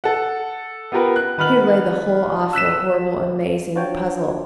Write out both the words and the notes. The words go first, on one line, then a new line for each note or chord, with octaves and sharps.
Here lay the whole awful, horrible, amazing puzzle.
A4 F#5
B3 F4 G4 A#4 B4
F#6
D#3 B4 F#5 F6 F#7
E6 F#6 B6 E7
D4 F4 F#4 C5 C#5 G5